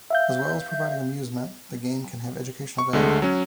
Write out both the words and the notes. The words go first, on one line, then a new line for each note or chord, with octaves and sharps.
As well as providing amusement, the game can have educational value.
E5 F5 G6
C#6
D2 D3 G#3 A3
F#3 C#4